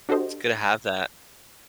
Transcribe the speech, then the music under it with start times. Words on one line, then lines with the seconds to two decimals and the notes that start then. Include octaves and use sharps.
It's good to have that.
0.09 D4 F#4 G4 A4 C5 D#5